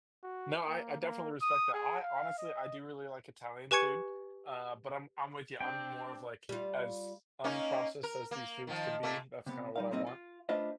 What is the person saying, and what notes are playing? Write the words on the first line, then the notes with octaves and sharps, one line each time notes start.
No, I I definitely respect that. I honestly, I do really like Italian food, uh, but I'm I'm with ya, I'm more of, like, as unprocessed as these foods can be, that's kind of what I want.
F#4
A#3
A#3
D#6
G#4
F5
D#5
G4 B4 G#5 C#6 G#6 C#7
C4 D4 G4 G5
G3 F4
A#3 C#4 D#4
A#4
A#3
D#3 F3
A#2 A3
C3 B3
G3 D#4 F5
F2 C3 G3 A#3 C4 D#4
F4
A3 D4 F4 B4 C5 D#5